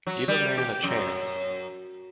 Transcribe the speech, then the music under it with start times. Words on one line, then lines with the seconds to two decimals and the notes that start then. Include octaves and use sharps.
Give a man a chance.
0.07 F#3
0.28 G3
0.57 G4
0.83 F#2